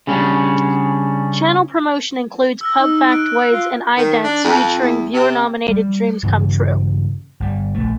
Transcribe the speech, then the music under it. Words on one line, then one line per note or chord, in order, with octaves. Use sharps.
Channel promotion includes pub factoids and idents featuring viewer nominated "dreams come true".
C#3 G3 C#4 D4
E6 F6 A#6
D#4
F#6 D7
F4
D#3
D4
F2
E2
C3
G3
G2 C#3 E3 C#4
G1 G3
A#1 A3